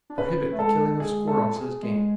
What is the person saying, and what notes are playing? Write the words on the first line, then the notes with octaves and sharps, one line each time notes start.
Prohibit the killing of squirrels as "game."
D4
C#4 B4
A3
G#3 A4
G#4
A4
G#4
G#3